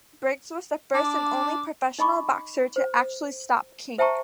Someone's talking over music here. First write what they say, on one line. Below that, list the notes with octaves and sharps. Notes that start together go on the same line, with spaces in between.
Briggs was the first and only professional boxer to actually stop King.
D4 D6
D#4 D#5 B5 C#6 D6
C5
C5 E5 G5 A5 A#5 C#6